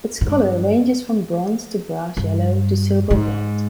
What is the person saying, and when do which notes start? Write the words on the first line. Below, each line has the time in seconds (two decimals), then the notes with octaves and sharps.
Its color ranges from bronze to brass yellow to silver white.
0.21 G#2
0.29 G2
2.17 G2
3.10 G#2